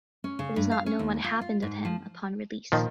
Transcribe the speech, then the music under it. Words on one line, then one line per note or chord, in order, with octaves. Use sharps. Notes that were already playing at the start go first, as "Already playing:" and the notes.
It is not known what happened of him upon release.
C#4
C#3
G2
F5
C#4
D#2
F4
F4
G#2
F3
A#2 D#3 F3